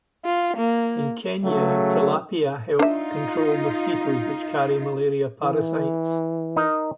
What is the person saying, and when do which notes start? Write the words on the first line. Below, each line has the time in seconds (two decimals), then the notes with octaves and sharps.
In Kenya, tilapia help control mosquitoes which carry malaria parasites.
0.25 F4
0.57 A#3
1.44 C#3 F#3 A3
2.79 D4 D#4 F4 E5
5.43 E3
6.56 D#4 A#4